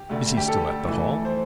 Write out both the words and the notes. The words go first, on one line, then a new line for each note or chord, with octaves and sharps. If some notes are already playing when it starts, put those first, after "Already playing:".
"Is he still at the Hall?"
Already playing: G4
D2 D3 A3
G4
A4
F2 E3 A3 E4
C5